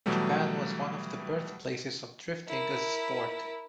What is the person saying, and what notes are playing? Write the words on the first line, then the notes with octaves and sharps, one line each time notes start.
Japan was one of the birthplaces of drifting as a sport.
B2 E3 F#3 G3 A3
E4 A#4